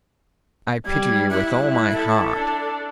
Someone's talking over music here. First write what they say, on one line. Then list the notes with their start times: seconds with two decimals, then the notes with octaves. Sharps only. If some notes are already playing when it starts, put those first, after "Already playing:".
'I pity you with all my heart.
0.85 G3 G#6
1.30 E4 F#6
1.59 E4
1.91 A4
2.34 D4